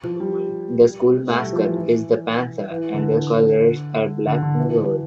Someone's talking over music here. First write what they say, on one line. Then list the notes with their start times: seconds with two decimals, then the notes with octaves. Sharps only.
The school mascot is the Panther and the colors are black and gold.
0.04 F3
0.20 G3
1.29 A3
1.41 G3
1.53 F3
1.64 E3
1.77 E3
2.70 E3
2.94 D3
4.27 D3
4.42 D3
4.58 E3